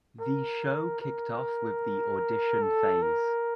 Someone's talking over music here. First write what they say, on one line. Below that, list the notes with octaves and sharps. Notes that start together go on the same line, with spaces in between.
The show kicked off with the audition phase.
A#4
A#4
A4
A#4